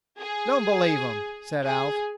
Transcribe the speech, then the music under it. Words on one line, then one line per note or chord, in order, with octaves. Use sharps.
"Don't believe 'em," said Alf.
G#4
G#4